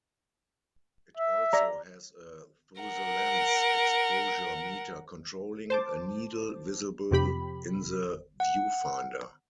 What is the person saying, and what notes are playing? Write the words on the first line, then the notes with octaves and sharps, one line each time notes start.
It also has a through-the-lens exposure meter controlling a needle visible in the viewfinder.
E5
D5 A#5
A#4 F#5
C5 A5 D6
F2 C3 G4 B5
F#5